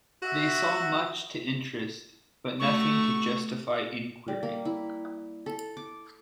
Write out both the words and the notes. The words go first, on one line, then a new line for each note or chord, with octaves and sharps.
They saw much to interest, but nothing to justify inquiry.
F#4 E5
A3 F#4 C#6
G3
A#3
E4
A4
D6